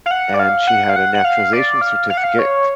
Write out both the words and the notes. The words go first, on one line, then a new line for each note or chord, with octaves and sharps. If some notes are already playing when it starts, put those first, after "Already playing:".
and she had a naturalization certificate,
F5
F#5
D5
F5
F#5
F5
F#5
F#5
F5
D5
F5
F5
F#5
F5
C#5